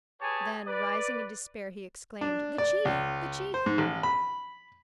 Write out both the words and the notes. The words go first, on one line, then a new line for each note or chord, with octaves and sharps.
Then rising in despair, he exclaimed, "The chief, the chief!"
G4 G#4 B4 C#5 A5
B4 D5
D4
D5
C#2
C5
G#2
A1
B5